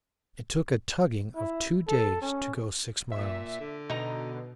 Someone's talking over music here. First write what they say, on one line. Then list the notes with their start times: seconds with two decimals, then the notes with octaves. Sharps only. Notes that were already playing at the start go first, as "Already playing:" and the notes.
It took a tugging of two days to go six miles.
1.35 E4
1.88 A4
2.22 C#4
3.12 A#2 E5
3.60 D3
3.90 B2 D#4 A#5